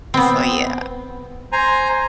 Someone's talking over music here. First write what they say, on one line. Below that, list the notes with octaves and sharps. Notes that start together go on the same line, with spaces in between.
So, yeah.
B3 C4
C5 G#5 A#5